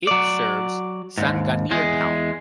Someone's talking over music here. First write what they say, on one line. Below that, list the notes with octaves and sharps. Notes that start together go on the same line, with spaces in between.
It serves Sanganer town.
F#3 D5
D#2 G#2
E2 G#3